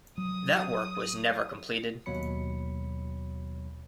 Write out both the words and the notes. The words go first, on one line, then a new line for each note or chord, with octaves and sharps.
That work was never completed.
F#3 D#6
D#2 B2 F#3 C#5 B5 C#7